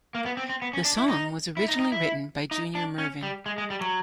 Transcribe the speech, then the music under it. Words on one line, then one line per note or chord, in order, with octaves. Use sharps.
The song was originally written by Junior Murvin.
A#3
B3
C4
C4
B3
C#4
D4
E4
D#4
E4
D#4
D#4
E4
D#4
D4
C#4
G3
G#3
G#3
G3
F#3